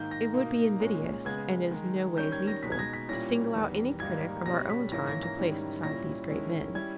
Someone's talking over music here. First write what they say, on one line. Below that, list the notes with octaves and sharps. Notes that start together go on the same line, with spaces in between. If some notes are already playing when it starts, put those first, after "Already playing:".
It would be invidious, and is noways needful, to single out any critic of our own time to place beside these great men.
Already playing: G#2 D#3 A#3 G6
A#6
B2 A#3 D#4
A#2 G#3 C#4
C#3 G#3 B3 G#6
D#3 G#3 D#4
D#3 G3 C#4 G6
G#6
A#6
B2 G#3 D#4 B6
G#6
A#6
B6
A#2 G3 C#4 E4 A#6
E2 D#3 G3 B3
G#2 D#3 G3 A#3 D#4 G#6
B2 G3 C#4 A#6
B6
G#2 E3 A#3 C#4 E4 A#6
A#6
A#6
G#2 D#3 G3 C#4 E4
A#2 G3 C#4 E4 A#6
D#3 G#3 C#4 E4
G3 C#4 E4 G#6